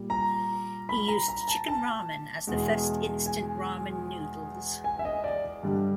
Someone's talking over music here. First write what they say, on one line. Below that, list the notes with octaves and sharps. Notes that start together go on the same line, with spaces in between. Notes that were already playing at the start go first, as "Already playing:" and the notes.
He used Chicken Ramen as the first instant ramen noodles.
Already playing: A#2 G3
A#5
B5
A#5
A#5
A5
A5
E2 B2 G#3
G#5
G#5
E5
D#5
D5
G2 D3 G3